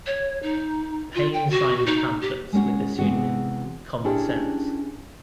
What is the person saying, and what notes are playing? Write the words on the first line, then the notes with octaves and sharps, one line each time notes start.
Paine signed the pamphlets with the pseudonym, Common Sense.
C#5
D#4
F4
G5
F#4
D#4
G4
G#3 A#3 C#4 F#4
C3 E3 G#3 B3 F#4
C#4 D4 E4 G4 G#4 A#4